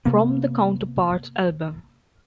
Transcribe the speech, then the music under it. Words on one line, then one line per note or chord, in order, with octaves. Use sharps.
From the "Counterparts" album.
C3 A#3 B3